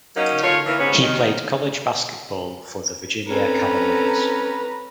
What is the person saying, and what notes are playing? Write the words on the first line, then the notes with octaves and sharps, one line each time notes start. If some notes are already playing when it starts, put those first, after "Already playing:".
He played college basketball for the Virginia Cavaliers.
F#3 A#3 C#4 D#4
A3 F4 C#5
E3 A#3
G#2 C3 B3 C#4 C#5
D#3
C4 C#4 A4 B4 A#5